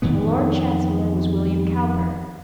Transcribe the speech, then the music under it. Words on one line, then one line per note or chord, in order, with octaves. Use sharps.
The Lord Chancellor was William Cowper.
F2 D#3 E3 B3